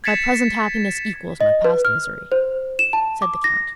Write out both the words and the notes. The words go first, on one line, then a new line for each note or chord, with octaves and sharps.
"My present happiness equals my past misery," said the count.
G#6 A6 B6 C#7 E7
D#5
B4
F6
C5
E7
A5
D6
A#6